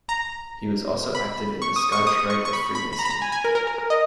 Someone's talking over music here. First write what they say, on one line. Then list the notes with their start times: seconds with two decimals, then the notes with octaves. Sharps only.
He was also active in the Scottish Rite of freemasonry.
0.09 A#5
1.15 B5
1.62 C#6
1.76 D#6
1.92 C#6
2.07 D#6
2.30 C#6
2.45 C#6
2.53 B5
2.75 B5
2.93 B5
2.99 A#5
3.05 B5
3.10 A#5
3.22 G#5
3.32 G#5
3.44 A#4
3.55 A#4
3.67 A#4
3.78 A#4
3.90 D#5